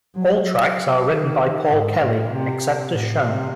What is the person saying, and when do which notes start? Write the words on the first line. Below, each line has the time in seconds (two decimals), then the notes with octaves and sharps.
All tracks are written by Paul Kelly except as shown.
0.15 F#3
1.07 D#3
1.69 G#2
1.99 A2
2.29 C3
2.91 A2
3.21 C3